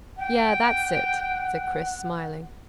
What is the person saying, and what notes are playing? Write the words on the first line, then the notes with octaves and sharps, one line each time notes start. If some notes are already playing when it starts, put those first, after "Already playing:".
"Yea, that's it," said Chris, smiling.
F#5 G5